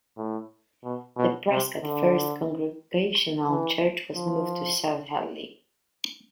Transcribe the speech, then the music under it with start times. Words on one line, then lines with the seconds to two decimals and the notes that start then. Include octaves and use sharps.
The Prescott First Congregational Church was moved to South Hadley.
0.17 A2
0.84 B2
1.16 B2
1.50 C3
1.83 D3
3.49 E3
4.15 F3